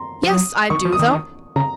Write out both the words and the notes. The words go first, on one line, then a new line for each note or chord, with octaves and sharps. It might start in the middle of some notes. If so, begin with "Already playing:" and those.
Yes, I do, though.
Already playing: A#5 C6
F3
F#3 D#6
D#3 C#6
F3
D#6
D#3
C#3 A#5